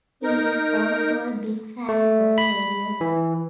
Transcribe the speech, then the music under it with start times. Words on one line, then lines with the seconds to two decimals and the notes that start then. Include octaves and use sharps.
He is also a big fan of Radiohead.
0.23 D#4 A#4
1.89 A3
2.38 B5
3.01 E3